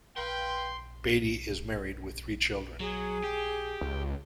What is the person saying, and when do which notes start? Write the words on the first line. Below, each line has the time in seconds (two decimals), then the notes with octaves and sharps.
Beattie is married with three children.
0.17 B4 F5 G5 C6
2.80 F#3 G#4
3.24 G4
3.81 C#2